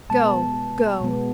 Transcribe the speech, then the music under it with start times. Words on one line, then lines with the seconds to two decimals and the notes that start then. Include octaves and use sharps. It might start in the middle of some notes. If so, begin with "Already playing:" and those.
Go! go!
0.10 B2 G#3 B3 A5
1.01 B2 G#3 B3